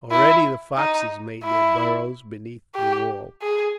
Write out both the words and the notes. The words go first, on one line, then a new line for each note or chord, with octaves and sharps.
Already the foxes made their burrows beneath the walls.
E4
D#4
E4
G4
G#4